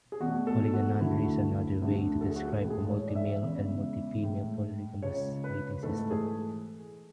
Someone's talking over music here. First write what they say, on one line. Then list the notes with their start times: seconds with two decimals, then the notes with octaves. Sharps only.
Polygynandry is another way to describe a multi-male and multi-female polygamous mating system.
0.12 G#4
0.20 E2 B2 A3 F#4
0.47 A4
0.74 F#4
1.01 D2 D3 F#3 A3 E4
1.82 D2 D3 F#3 A3
2.21 A4
2.29 G#4
2.36 F#4
2.43 G#4
2.61 A2 E3 G#3 A4
2.70 G#4
2.78 A4
2.89 C#5
3.07 D5
3.15 E5
3.42 E2 C#3 G#3
4.23 A2 G#3
5.02 C#2 C#3 G#3 C#5
5.44 B4
5.83 G#2 E3 A3 A4
6.11 G#4